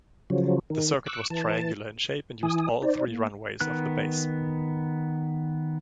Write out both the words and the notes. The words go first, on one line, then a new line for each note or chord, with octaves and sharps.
The circuit was triangular in shape, and used all three runways of the base.
C#3 F3 F#3
D#3
C#6 D6 E6 F#6
E3 A5
E3 E4 G#5 D#6
D#4 C5 D5
A#3
D#3 B3 F#6